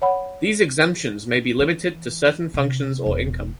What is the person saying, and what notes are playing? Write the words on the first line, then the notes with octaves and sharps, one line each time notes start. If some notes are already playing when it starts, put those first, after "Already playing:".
These exemptions may be limited to certain functions or income.
C#5 F#5 B5
E3
C3
E1